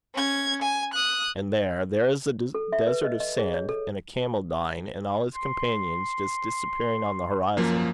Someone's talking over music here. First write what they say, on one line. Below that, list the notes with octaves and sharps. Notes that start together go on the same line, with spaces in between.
And there, there is a desert of sand, and a camel dying, and all his companions just disappearing on the horizon.
C#4 G#6
G#5
D#6 F#6
A4
E5
B4
D#5
D#5
G#4
C#5
A4
C6
F#2 F3 A#3